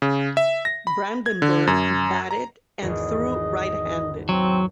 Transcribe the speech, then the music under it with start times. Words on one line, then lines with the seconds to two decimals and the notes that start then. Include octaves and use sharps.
Brandenburg batted and threw right-handed.
0.02 C#3
0.37 E5
0.65 A#6
0.87 B5
1.26 G#6
1.42 D3
1.67 F#2
2.31 A#5
2.82 G#1 E2 D#5
4.29 F#3 C4